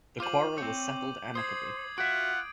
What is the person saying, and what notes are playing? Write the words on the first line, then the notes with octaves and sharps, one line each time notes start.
The quarrel was settled amicably.
F4 C5 D6 D#7 F#7
C4 C#5 G6
C5 D#6 G#6 C7
F4 F#4 E5 F#5 D7